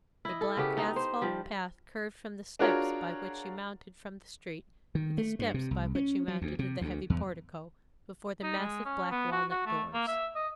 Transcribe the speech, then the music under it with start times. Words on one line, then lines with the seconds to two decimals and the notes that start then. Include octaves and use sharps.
A black asphalt path curved from the steps by which you mounted from the street to the steps by which you mounted to the heavy portico before the massive black walnut doors.
0.25 E4 D#5
0.41 A4
0.57 C#3 B3 G4
0.77 D#4
0.96 C5
1.22 F3 G3
2.59 D4 F4 F#4 G#4 A#4 C#5
4.95 D#3
5.18 A3
5.39 G2
5.54 C3
5.71 C2
5.95 C#4
6.28 F#3
6.42 D2
6.59 C3
6.81 D2
7.10 E2
8.43 D#4
8.59 G#3
8.85 C#4
9.11 B3
9.32 F#4
9.51 F#4
9.66 A3
9.93 A#3
10.08 E5
10.35 D#5